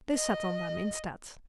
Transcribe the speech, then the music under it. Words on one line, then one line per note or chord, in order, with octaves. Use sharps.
They sat on them, instead.
D#5